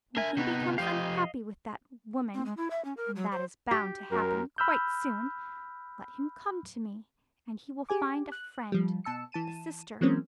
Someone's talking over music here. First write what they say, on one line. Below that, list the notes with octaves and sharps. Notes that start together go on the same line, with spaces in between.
When he becomes unhappy with that woman, and that is bound to happen quite soon, let him come to me and he will find a friend, a sister....
D4 A#4 E5 G#5
C3 B3 D#4
F3 G4 D#5 F5
C4
G#3
E4
E5
C#4
A#4
F#3
C5
G4
F#2 A#4
B5 E6 F6 G6
G4 G#4 G#5 D6
F#6
F3 G3
B2 A5 E6 C#7
E3 A5 D#7 E7
E3 F#3 G#3 A#3 C4 C#4